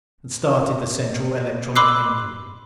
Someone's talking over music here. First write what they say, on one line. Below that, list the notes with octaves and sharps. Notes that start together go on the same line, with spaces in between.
And started the central electronic engine.
B5 C6 D6 E6 F#6 C7